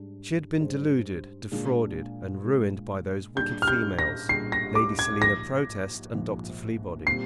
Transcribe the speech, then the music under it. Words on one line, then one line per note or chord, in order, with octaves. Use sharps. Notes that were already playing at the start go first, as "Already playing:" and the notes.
She had been deluded, defrauded, and ruined by those wicked females, Lady Selina Protest and Dr. Fleabody.
Already playing: G#2 G3 D4 G#4
G#2 G3 D4 G#4 C5
A#2 G#3 D4 G#4
A#2 G#3 D4 G#4
A#2 G3 D4 G#4 G6
F6
G6
A#6
A#2 G3 D4 G#4 C7
A#6
D6
G#6
A#1 G#2 F3 A#6
A#1 G#2 F3
A#2 G3 C4 G4 C7